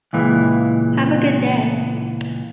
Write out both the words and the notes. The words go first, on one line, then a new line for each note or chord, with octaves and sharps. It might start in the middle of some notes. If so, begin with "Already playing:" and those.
Have a good day.
C#2 A#2 E3 G#3